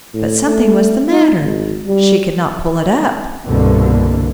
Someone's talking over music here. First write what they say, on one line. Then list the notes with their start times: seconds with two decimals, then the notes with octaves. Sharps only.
But something was the matter; she could not pull it up.
0.14 A2
0.46 A3
1.11 D#4
1.41 G#1
1.87 G3
3.46 C2 G2 B2 D3 A#3